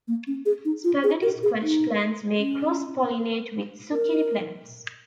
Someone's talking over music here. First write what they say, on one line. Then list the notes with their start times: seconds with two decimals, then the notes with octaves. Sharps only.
Spaghetti squash plants may cross-pollinate with zucchini plants.
0.08 A#3
0.27 C#4
0.46 G#4
0.65 D#4
0.84 F4
1.04 G#4
1.23 A#4
1.43 G#4
1.62 D#4
2.38 C#4
3.92 A#4